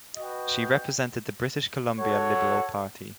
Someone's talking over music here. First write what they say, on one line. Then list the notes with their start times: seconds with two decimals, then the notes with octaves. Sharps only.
She represented the British Columbia Liberal Party.
0.15 F#4 B4 D#5 G5
2.00 F#4 A4 C#5 F#5